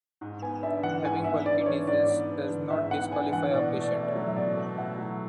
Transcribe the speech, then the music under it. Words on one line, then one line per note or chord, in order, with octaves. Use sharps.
Having bulky disease does not disqualify a patient.
G#2
B3 G#5
D4 E5
E3 F#5
G#2 G#5
B3 E5
D4 D5
E3 C#5
G#2 D5
B3
D4
E3
G#2 E5
B3 F#5
D4 G#5
E3 F#5
B2 D5
A3
D5
E4
D5
C#5
F#3
E5
B2 D5
A3
E4 F#5
F#3